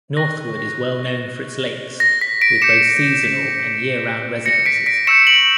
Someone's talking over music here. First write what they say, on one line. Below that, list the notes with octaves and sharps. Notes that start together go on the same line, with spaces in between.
Northwood is well known for its lakes, with both seasonal and year-round residences.
C#6 F#6 A#6
A#6
B6
B6 D7
D6 G6 C#7 E7
B6 D7
A#6 C#7
B6 D7
B6 D7
C#6 E6 G6 C#7 E7
D7 F#7